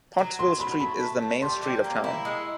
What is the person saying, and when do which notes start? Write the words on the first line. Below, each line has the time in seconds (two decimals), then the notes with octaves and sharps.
Pottsville Street is the main street of town.
0.19 F#3
0.39 F#3 C6
0.60 F#3 B5
0.80 A3 B5
1.01 A3
1.22 A3
1.42 G3 C6
1.63 G3
1.84 A#3
2.04 E4
2.25 G#3